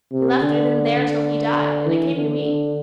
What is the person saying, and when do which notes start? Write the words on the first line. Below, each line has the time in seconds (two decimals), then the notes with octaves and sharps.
He left it in there till he died, and it came to me.
0.12 C3
0.41 D3
0.99 D3
1.86 E3
2.15 D3
2.44 D3